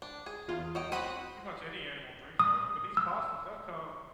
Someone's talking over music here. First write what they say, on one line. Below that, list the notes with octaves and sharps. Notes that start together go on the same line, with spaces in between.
pretty much any animal drinks out of it, but these possums, they'll come
D4
G#4
E2 F4
F#3 D#5 G5
C4 F#4 F#5 B5 D#7
D#6
E6